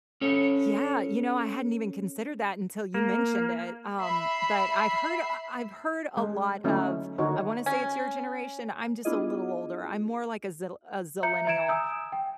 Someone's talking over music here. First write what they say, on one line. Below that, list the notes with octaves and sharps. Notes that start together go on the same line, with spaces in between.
Yeah, you know, I hadn't even considered that until you mentioned it, um, but, I've heard, uh, I've heard a lot of, I wanna say it's your generation, I'm just a little older, I'm more, like, a zil a zillennial,
C#4 A4 C#5
A#3
E5 B5 C7
G#3
D3 F#3 A3 C#4 D#4 E4
D3 D#3 D#4 F#4 C#5
C#4
B3 D4 E4 F4 G#4 D#5
E5 A#5 G6 C#7
E5 A#5 G#6 D7 E7
G#5 D#6 E6 G6
G5